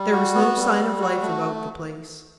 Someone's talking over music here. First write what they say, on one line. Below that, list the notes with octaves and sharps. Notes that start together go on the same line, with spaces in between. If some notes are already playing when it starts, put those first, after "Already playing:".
There was no sign of life about the place.
Already playing: G3
F#4
B3
G3
G3
F#4
A3